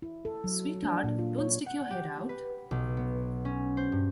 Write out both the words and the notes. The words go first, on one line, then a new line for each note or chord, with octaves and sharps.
Sweetheart, don’t stick your head out.
E4
A4
F#3
D4
A#2
F4
C#5
F#5
G4
B4
B1
B3
C#4
C5
G2